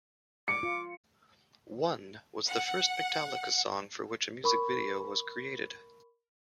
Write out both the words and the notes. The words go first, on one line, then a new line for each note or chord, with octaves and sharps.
"One" was the first Metallica song for which a music video was created.
D6 C#7
F4
F#5
A#4 B5 C#6